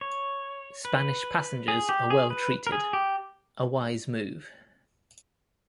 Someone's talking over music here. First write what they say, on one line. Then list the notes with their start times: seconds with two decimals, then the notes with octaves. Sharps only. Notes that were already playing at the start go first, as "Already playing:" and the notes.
Spanish passengers are well-treated, a wise move.
0.01 C#5
0.85 B4
1.68 G#4
1.89 G4
2.10 G#4
2.30 B4
2.67 A#4
2.72 G#4
2.93 G4